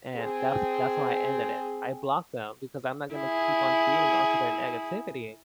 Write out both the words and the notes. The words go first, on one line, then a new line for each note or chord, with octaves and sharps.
and that's that's how I ended it. I blocked them because I'm not gonna keep on feeding onto their negativity.
C4 G#4
E4 G#4